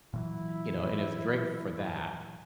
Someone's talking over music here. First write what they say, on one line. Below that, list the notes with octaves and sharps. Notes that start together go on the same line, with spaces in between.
you know, and it was great for that,
A#2 E3 F#3 E4